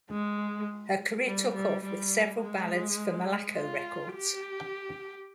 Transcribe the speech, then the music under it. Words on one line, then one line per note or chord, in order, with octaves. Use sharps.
Her career took off with several ballads for Malaco Records.
G#3
G3
G3
G3
G#3
F4
G4